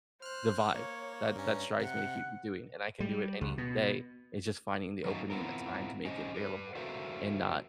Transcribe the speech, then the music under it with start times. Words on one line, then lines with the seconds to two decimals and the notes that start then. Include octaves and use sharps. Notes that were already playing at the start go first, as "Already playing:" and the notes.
the vibe that that strives me to keep me doing it, and I can do it any day. It's just finding the opening, the time to make it available and not
0.22 C5 F6 F#6
0.74 A#3 C#5
1.36 G2 C#4 A#5
1.80 C3 F#5
3.00 G3
3.41 C#2
3.58 B2
5.05 F#3 A3 A#3 C4 C#4 D#4
5.30 B3 C4 E4 F4 A#4
6.05 C#4 G#4 C5 D#5
6.34 G4 B4
6.75 F#4 A4 A#4 C5 E5 F5